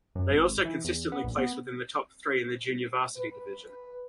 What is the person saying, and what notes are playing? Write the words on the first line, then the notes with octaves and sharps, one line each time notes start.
They also consistently place within the top three in the Junior Varsity division.
F#2
G#1
E3
E2
B3
A#1
B3
B4